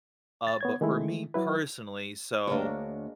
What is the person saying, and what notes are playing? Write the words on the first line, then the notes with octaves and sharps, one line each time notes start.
Uh, but for me personally, so,
A6
B3 C#5 G#6
D#3 G#3 A3 E4
F#3 E4 B4
D2 G#3 A#3 D4 C#5